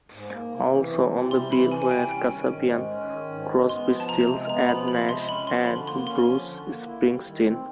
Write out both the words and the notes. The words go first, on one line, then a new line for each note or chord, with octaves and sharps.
Also on the bill were Kasabian, Crosby Stills and Nash, and Bruce Springsteen.
G#2
A#3
C3
E3
C3
G3
C3 C6
E3 B5
C3 G#5
G#5
G3 G5
C#4 G5
D#3
G#2
G#3
C#4
D#3
G#2
G#3
B3 C6
F3
A5
C3 A#5
G#3
B3 A#5
F3 B5
C3 B5
G#3 C6
C#4 B5
F3 C6
D3 B5
A#3 C6
C#4 C6
F3
D3
A#3
E4
G3
D#3
C4